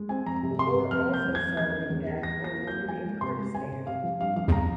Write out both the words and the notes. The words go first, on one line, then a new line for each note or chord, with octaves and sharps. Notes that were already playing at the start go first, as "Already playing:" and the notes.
The war also saw an impact on women in Kurdistan.
Already playing: G#3
C4 G#5
F2 A#5
C3
C3 C6
C3
F2 F6
A#3
G6
F2
G#6
F2
E2 G#6
C#4
E2
E2
E2 A#6
A#3
A#6
A#3
A#3 G6
F3 G#5
G#3
C3 C6
G#3
C3 G#5
C3
C3 F5
F3
G2 F5
F3 F5
F3 A#5